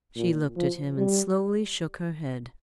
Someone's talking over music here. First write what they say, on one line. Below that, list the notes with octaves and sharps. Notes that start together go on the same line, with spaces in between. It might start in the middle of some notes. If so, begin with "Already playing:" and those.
She looked at him, and slowly shook her head.
A#2
F3
G3